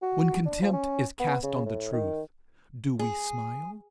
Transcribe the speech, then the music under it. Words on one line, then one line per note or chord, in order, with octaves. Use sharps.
When contempt is cast on the truth, do we smile?
F#4
D4
F3
C#4
B3
C#3
A2
D#3
G#4